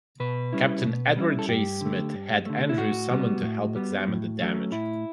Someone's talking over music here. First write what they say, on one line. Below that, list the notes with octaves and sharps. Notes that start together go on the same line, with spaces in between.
Captain Edward J. Smith had Andrews summoned to help examine the damage.
B2 B4
G3 C#4 E4
B2
G3 C#4 E4
A4
G2 G4
D3 A3
G2
D3 A3
E4
A2 F#4
G3 B3
A2
G3 B3
A2
F#3 A3 C#4
A2 E4